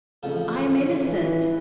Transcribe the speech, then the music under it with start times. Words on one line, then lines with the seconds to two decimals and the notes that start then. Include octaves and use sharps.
"I am innocent."
0.23 A1 F2 C#3
0.98 E3